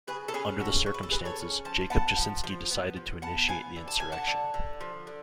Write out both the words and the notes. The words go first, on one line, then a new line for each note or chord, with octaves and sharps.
Under the circumstances, Jakub Jasinski decided to initiate the insurrection.
C#3 G#4 B4
A4
C#4 G#4 B4
C#3 F#4 A4
C#3 C#5
B4
A4
C#3 G#4 B4
A4 C#5
C#4
F3 A5
B3 F#5 A5
F3
F3
B3
F3
B3 F#5 A5
B3 F5 G#5
D3
A5
D3 G#5
F#5 A5
D3
D3
F3
D3